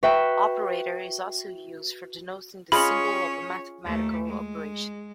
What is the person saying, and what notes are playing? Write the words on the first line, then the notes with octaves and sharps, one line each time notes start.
Operator is also used for denoting the symbol of a mathematical operation.
F#4 B4 E5 G5
C#4 F4 G#4 C#5 D#5 B5
D#2 A3
G#3